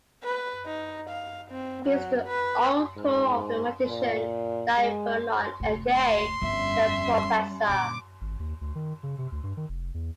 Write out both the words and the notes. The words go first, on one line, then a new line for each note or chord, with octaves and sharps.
He is the uncle of the magician Dai Vernon aka 'The Professor'.
B4
D#4
F5
C4
F#3
B4
G#2
A#2
G#3
F1 D2
C6
G1 F2 G3 C#4 E5
A#2 D3 D6
G#1
D#2
D2
D#3
C#3
C3
D2
G2
D#3
F1
E2